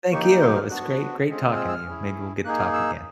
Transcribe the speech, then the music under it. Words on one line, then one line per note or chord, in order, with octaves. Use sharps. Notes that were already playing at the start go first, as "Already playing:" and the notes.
Thank you. It was great great talking to you. Maybe we'll get to talk again.
A#3 D#4 G4 C#6
C6
F6
B3 D4 F#4 F#6
G#3 C4 F4 G#4
F6
E6
E6
F6
C#4 E4 G#4
A#3 D#4 G#4 F#6
F6
E6